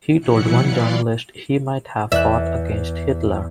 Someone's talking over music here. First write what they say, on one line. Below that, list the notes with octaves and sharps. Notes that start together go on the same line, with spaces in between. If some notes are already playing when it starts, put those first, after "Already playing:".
He told one journalist he might have fought against Hitler.
B2 E3 F#3 E4 F#6 C#7
E3 D5 F5 B5 C6
E2 E5 F#6